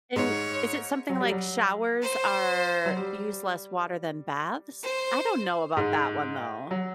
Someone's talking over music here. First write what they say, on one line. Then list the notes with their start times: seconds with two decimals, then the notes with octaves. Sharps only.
and is it something like showers are use less water than baths? I don't know about that one though.
0.15 G#2 G#3 C#5
1.09 F#3
1.21 G3
1.32 F#3
2.02 C5
2.85 F#3
2.97 G3
4.83 C5
5.77 G#2 G#3
6.71 F#3